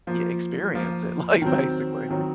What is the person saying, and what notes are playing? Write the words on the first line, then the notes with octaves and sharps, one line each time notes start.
yeah, experience it, like, basically
F3 A#3 F4
F3 A#3 F4
D#3 F#3 C4
D#3 F#3 C4